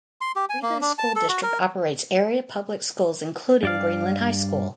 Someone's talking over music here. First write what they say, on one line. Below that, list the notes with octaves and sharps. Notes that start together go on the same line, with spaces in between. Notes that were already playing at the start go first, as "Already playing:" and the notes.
Greenland School District operates area public schools including Greenland High School.
C6
G4
G#5
A#3
D4
A5
A4
F#4
A#4
G2 D5 F5